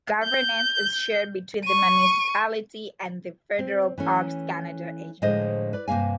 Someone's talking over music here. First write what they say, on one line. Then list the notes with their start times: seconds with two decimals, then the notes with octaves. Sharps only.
Governance is shared between the municipality and the federal Parks Canada agency.
0.24 G6
1.64 C#6 D#7
3.59 C4
3.98 E3 A3 C#4
5.22 A2 D3 F3 G#3 C5 D#5
5.73 B4 D5
5.88 G2 C3 A#3 F5 G#5